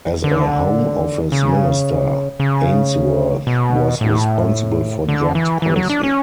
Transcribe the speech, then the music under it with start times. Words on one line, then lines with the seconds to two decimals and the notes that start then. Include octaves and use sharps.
As a Home Office minister, Ainsworth was responsible for drugs policy.
0.24 D3
1.32 C#3
2.40 C#3
3.47 B2
4.01 A2
5.09 D3
5.35 E3
5.62 E3
5.76 F#3
5.90 D4
6.03 C#4